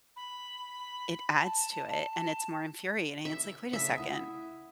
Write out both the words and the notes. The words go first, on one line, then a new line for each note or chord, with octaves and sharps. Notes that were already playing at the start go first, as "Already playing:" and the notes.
it adds to it, and it's more infuriating. It's like, "Wait a second.
B5
A5
A5
E5
C#3 A3 E5
E4 F#5 D#6